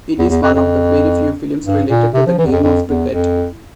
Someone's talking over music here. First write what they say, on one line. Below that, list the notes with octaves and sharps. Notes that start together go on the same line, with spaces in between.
It is one of the very few films related to the game of cricket.
E2
E2
F2
F2
G2
A#2
C3
F3
E3
E2
F2
F2
E2
F2